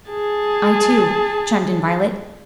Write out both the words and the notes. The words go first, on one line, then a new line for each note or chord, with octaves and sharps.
"I too," chimed in Violet.
G#4 A5